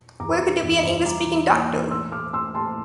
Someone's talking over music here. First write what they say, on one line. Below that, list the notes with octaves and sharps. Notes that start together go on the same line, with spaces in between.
Where could there be an English-speaking doctor?
E2 A#5 D6
E3
E2
E2
G3 A#5 D6
E3
A#3
E3
A2 C6 E6
A2 D6 F6
A2 C6 E6
A2 A5 C6